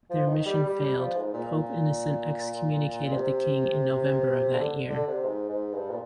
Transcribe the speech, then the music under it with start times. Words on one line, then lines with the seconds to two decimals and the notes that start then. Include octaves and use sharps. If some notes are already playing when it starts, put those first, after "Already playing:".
Their mission failed; Pope Innocent excommunicated the King in November of that year.
0.10 F3
0.28 D#3
0.46 G3
0.63 G3
0.80 G3
0.99 F3
1.17 G#2
1.34 A#2
1.52 A#2
3.12 C3
4.54 D3
4.90 D3
5.07 C3
5.24 G#2
5.49 G#2
5.73 G2
5.90 A#2